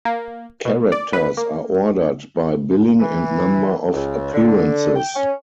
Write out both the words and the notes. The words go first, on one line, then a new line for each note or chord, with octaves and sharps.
Characters are ordered by billing and number of appearances.
A#3
B2
D5
B4
A#3
E3
C#2
D3
G5
C#4